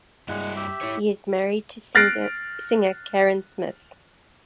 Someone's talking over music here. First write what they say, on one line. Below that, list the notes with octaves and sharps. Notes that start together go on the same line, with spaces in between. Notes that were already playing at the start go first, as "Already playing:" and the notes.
He is married to singer Karen Smith.
G2 G#3 E4 F#5
G4 E5
E4 C#5
F6 F#6 A6 A#6 C7 D7